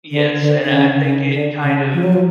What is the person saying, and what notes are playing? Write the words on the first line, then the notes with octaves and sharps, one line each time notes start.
yes, and I, uh, think it kind of,
D3
D3
D3
C#3
C#3
D3
C#3
F3
F#3
F3